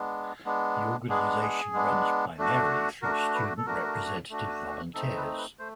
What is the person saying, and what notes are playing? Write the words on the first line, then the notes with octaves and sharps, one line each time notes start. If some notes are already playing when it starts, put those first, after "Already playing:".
The organization runs primarily through student representative volunteers.
Already playing: G#3 B3 D4
G#3 B3 D4
G#3 B3 D4 G#4
G#4
G#3 B3 D4
A3 D4 F#4
A3 D4 F#4 A#4
B4
A4
A3 D4 F#4 A#4
A3 D4 F#4
A3 C4 D#4 A4
B4
B4
A3 C5